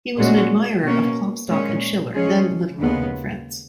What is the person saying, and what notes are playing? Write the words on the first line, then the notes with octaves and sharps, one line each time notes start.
He was an admirer of Klopstock and Schiller, then little known in France.
A#2 G#3 C#4 F#4
B2 A#3 C#4
A#2 G#3 C#4
F3 G#3 C#4 G#4
D#2 C#3 G#3 B3